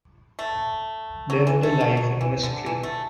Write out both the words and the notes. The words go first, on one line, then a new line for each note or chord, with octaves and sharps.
Lived a life in mystery.
A3
F#3
E3
A3
F#3
F#3
E3
D3
E3
A3